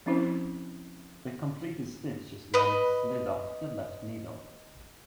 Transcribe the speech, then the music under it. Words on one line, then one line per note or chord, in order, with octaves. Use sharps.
The completed stitch is then slid off the left needle.
F3 C4 C#4 E4 C5
B4 D#5